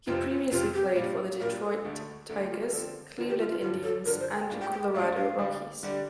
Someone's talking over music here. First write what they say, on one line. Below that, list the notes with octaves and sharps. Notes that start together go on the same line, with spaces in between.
He previously played for the Detroit Tigers, Cleveland Indians, and Colorado Rockies.
F2 C3 F3 C4 F4
F4
F2 C3 F3 C4 F4
G4
A#2 G3 D4 F4
A#2 G3 D4 F4 A#4
A4
D2 D3 A3
D2 D3 A3 A4
G4
F4
G4
A#4
D3 F3 C4 A4
D3 F3 C4 F4
G4
F4
F4
G2 D3 F3 F4
A4
G2 D3 F3 A#4
C5
G5
A2 G3 D4 F4
G5
G5
A2 G3 D4 F4 F5
F5
D3 G3 D4
D3 G3 D4